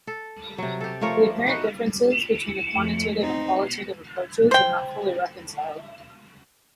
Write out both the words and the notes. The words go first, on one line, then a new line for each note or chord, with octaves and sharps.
The apparent differences between the quantitative and qualitative approaches are not fully reconciled.
A4
C3 F#3
G4 A4
F3 A3 A#4 C#5
B3 D#4 F#4
F2 A3
C4 D#4
C5 G5